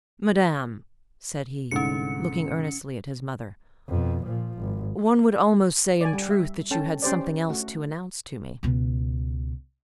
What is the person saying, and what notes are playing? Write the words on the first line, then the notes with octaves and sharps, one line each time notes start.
"Madame," said he, looking earnestly at his mother, "one would almost say in truth that you had something else to announce to me."
C2 G#2 D3 C#4 C#7
F2 B2
A#2 F3
G#1
D5 G#5
G3
E5
C#4 A4 G5 A5
C#4 G4 C5 D5
A3 F#4
C#2 B2